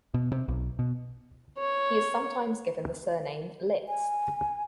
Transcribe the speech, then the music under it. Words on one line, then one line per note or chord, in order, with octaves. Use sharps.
He is sometimes given the surname Litz.
B2
C3
B1
B2
C#5
G#5